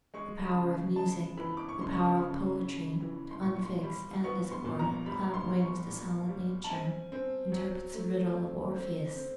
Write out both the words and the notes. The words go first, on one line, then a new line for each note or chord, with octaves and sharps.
The power of music, the power of poetry, to unfix and as it were clap wings to solid nature, interprets the riddle of Orpheus.
G#3 C#6
B5
C#3
G#3 A5
E3 B5
D6
C#6
C#3 C6
C#6
C#3
C#3
E3
C6
A#2 C#6
C#6
C6
G3 B5
B3 C#6
C6
A#2
A#5
G3 B5
C6
G3
C#6
A#2
G3
A5
C4 G#5
C4
F#3
A3
C4
C4
C4